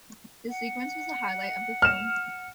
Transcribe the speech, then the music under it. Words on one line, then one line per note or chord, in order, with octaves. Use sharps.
The sequence was the highlight of the film.
F#5
F6 E7